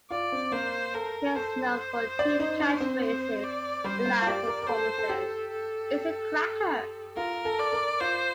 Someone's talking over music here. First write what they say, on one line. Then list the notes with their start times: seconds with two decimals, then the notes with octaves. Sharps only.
He is known for two catchphrases in live performances: It's a cracker!
0.11 F4 D5
0.32 C4
0.52 A#3 C5
0.94 A4 A#4
1.36 A4 C5
2.19 D5
2.40 D#4
2.60 D4
2.80 C4
3.02 C5
3.44 D5
3.84 G3 C5
4.05 A#3
4.22 F4
4.27 G4 D5
4.47 A#4
4.62 A#4
4.68 A4 C5
4.98 A4
5.09 G4 A4
5.52 A4
7.17 F4 A#4
7.45 A4
7.59 D5
7.73 A#4
8.01 F4 C5